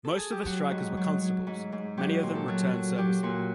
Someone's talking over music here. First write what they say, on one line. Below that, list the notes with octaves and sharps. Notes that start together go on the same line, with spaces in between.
Most of the strikers were constables, many of them returned servicemen.
A4
G#4
G4
F#3 F#4
G#2
F#3
F#3
G#2
G#2
F#3 G4
A#2
A4
F#3
F#3
F#3 G4
A#2 F#4